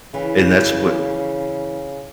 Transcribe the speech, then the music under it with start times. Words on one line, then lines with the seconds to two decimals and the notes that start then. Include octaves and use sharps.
And that's what
0.14 C#3 E3